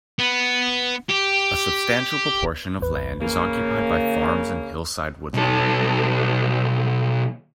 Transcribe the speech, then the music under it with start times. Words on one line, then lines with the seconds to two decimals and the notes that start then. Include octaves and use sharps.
A substantial proportion of land is occupied by farms and hillside woodland.
0.19 B3
1.10 G4
2.79 A1 E2 B4
3.21 C#3 A#3
5.34 B1 A4